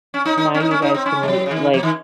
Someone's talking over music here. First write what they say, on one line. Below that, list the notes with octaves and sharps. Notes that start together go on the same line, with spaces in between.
Now you guys can, like,
C#4
D#4
D#4
C#4
D#4
C#4
D#4
C4
C#4
G#3
F#3
C#3
D#3
F3
D#3